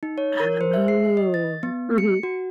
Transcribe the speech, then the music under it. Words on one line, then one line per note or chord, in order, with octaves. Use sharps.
Oh. Mhm.
D#4
C#5
A#4
C5
E5
C7
D#5
A6
B3
C#7
F#4